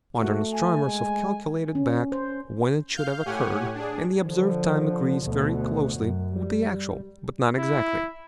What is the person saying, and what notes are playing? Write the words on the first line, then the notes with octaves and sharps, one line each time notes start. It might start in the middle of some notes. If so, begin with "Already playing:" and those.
Modern astronomers have calculated back when it should have occurred, and the observed time agrees very closely with the actual, but not exactly.
A3 F#4
G#5
G#3
C#4
C5
F5 F6 G6
A2 G4 C#5 F#5 G#5
D4 G#4
D3 F3
D2 B2
F#2
G3
E4